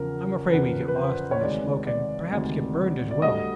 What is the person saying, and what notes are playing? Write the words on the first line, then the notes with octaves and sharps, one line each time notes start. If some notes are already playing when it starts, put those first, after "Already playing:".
I'm afraid we'd get lost in the smoke and perhaps get burned as well.
Already playing: E2 C#3 F3 A#4
E2 C#3 F3 B4
B4
C5
C#5
D2 C3 D#3 G#3 D5
D5
D2 C3 D#3 G#3
D5
D2 D3 G3 D#5